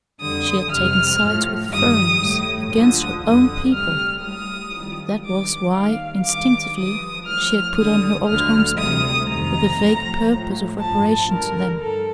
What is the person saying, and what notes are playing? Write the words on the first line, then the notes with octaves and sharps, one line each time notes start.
She had taken sides with "furriners" against her own people. That was why, instinctively, she had put on her old homespun with a vague purpose of reparation to them.
F2 D3 G3 D#6
F2 C3 G3 F6
A2 F3
G2 D#3 G3 D#6
A2 G3
D2 D3 F3 D#6
F2 D3 G3 D#6
D2 C3 G3 F6
A2 G3 D#6
F2 D#3 G3
G2 D#3 G3 D6
D#2 D#3 G3 F5
G2 D#3 G3 D6
G2 F3 D#6
A2 F3 F6
D#2 D3 G3 D#6
D2 D3 F3 F6
D2 C3 G3 D#6
F2 C3 D#3 A#5
A2 F3
A2 F3
G2 F3 A5
D2 D3 G3 A#4
G2 F3 A4